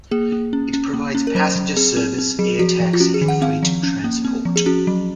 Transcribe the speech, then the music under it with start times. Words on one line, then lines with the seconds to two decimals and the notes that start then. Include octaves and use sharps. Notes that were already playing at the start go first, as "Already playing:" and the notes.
It provides passenger service, air taxi, and freight transport.
0.11 A#3 G#4
0.32 A#3
0.53 C#4
0.74 C#4
0.94 A#3
1.15 C#4
1.27 A#4
1.35 F#3 C5
1.56 F#3
1.77 C4 G#4
1.97 C4
2.18 C4
2.39 F#3 G#4
2.59 F3 F#4
2.80 F3
2.93 F4
3.00 C#4 F#4
3.14 G#4
3.21 D#3
3.28 F#5
3.42 C4 F5
3.63 F3
3.83 C#4
4.04 A#3
4.25 C4
4.45 F3
4.56 G#4
4.66 C#4 F#4
4.87 F#3